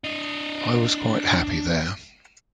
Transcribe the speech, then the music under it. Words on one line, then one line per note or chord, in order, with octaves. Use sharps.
I was quite happy there.
D4 D#5